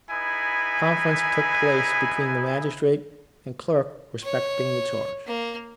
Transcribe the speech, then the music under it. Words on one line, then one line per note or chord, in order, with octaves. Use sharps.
Conference took place between the Magistrate and clerk respecting the charge.
D#4 E4 G#4 B4 G#5
C#5
A#3